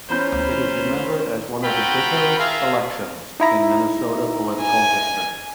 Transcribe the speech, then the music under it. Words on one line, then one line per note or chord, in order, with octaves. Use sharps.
It is remembered as one of the bitterest elections in Minnesota political history.
E2 C#4 F4 B4 C5 A#5 B5 G6
D2
C4 F4 F#4 G5 A#5 B5
F4 G#4 A#4 E5 F5
D#4 E4 A#5
G#5